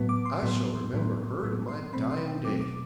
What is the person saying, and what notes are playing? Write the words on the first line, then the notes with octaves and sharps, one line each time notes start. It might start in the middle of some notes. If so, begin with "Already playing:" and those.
I shall remember her to my dying day.
Already playing: A2 F#3 B3
D6
C6
A2 F#3 B3
A2 F#3 B3
A2 F#3 B3
C6
B2 F#3 A3 C4 B5
C6
G5
B2 F#3 A3 C4 D6
D6